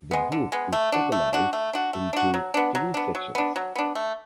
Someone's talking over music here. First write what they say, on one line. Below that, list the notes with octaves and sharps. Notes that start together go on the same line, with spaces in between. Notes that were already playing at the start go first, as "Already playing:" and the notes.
The book is organized into three sections.
G#3 B3
D3
G#3 B3
A3
D4 F#4
A3
D4 F#4
A3
D4 F#4
A3
D4 F#4
F#3
B3 D4
F#3
B3 D4
F#3
B3 D4
F#3
B3 D4
A3